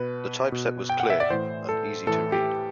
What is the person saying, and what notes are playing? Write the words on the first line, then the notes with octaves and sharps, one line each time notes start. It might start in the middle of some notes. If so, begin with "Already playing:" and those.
The typeset was clear and easy to read.
Already playing: B2 B4
B2
G5
F#5
E5
D5
A2 E3 C5
A4
A2 E3 A4
G4